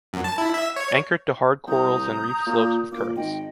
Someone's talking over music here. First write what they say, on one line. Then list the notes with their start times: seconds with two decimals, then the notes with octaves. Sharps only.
Anchored to hard corals and reef slopes with currents.
0.13 F#2
0.24 A5
0.38 E4
0.54 E5
0.76 C#5
1.67 C2 A#5 D#6 G6
2.46 A#2
2.91 A#2 A#4 D6
3.16 G#1 D#5 G5